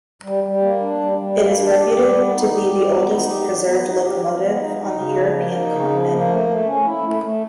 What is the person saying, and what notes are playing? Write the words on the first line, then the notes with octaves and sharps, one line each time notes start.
It is reputed to be the oldest preserved locomotive on the European continent.
G3
G3
A#3
D4
G3
G3
A#3
D4
G4
G3
B3
D#4
G4
G3
B3
D#4
G4
F#3
B3
D#4
G4
F#3
B3
D#4
D#4
C#3
F3
A#3
D#4
C#3
F3
A#3
A3
A3
C#4
E4
A3
A3